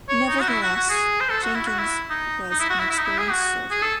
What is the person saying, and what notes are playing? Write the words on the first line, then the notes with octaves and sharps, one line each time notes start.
Nevertheless, Jenkins was an experienced soldier.
C#5
D#4
F#4
E4
F#4
F#4
G#4
C5
A4
F#4
E4
F#4
E4
D#4
D#4
E4
F#4
E4
E4
D#4
E4
G#4
F#4
G#4
A4